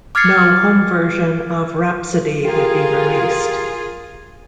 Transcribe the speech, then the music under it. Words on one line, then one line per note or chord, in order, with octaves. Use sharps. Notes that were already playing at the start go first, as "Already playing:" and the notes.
No home version of Rhapsody would be released.
D6 F6 G#6 A6 C7 C#7
F4 G4 G#4 A#4 F5 G5